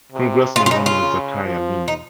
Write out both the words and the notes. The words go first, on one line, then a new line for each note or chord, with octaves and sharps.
Congressman Romulus Zachariah Linney.
C3
C#3 F4
F4
D#4
F4
C#3
F3
D#4